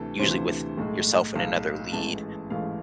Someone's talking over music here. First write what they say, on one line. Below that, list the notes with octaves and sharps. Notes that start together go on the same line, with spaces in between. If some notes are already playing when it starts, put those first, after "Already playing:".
usually with yourself and another lead.
Already playing: D2 C3 E3 A4
D2 C3 E3 C5
B1 A2 G#3
B1 A2 G#3 F5
A1 G#2 E3 A3 A5
A1 G#2 E3 A3 F5